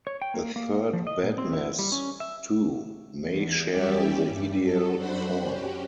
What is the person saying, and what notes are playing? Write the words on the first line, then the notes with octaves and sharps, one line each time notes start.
A third bedness, too, may share the ideal form.
C#5
G5
A#3
A#3
F3
D#5
A#2
C4
E4
G3
C#4
E5
E2
G3 C#4 G4 D5 E5
G2
F#3 A4
F#2 D4 F#4 C5 F#5 B5
C#4 F#4 G4